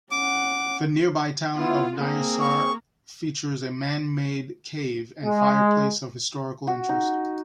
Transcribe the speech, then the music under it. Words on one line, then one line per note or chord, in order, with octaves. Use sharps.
The nearby town of Niasar features a man-made cave and fireplace of historical interest.
C#4 F#5 D6
B3 E4 F4
A#3 C4 G#4
C#6
G#3
F#4
D#4